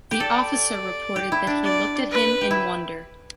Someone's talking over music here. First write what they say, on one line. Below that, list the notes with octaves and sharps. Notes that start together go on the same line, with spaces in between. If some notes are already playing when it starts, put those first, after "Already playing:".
The officer reported that he looked at him in wonder.
G4
A4 D5
G4
E4
D4
D5
B4
G4
E4